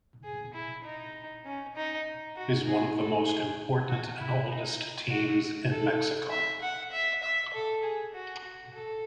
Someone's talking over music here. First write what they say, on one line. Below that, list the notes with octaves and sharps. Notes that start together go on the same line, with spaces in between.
Is one of the most important and oldest teams in Mexico.
G#4
E4
D#4
C#4
D#4
F#4
G#4
A4
G#4
F#4
E4
D#4
F#4
A4
E5
F#5
E5
E5
A4
G#4
F#4
F#4
A4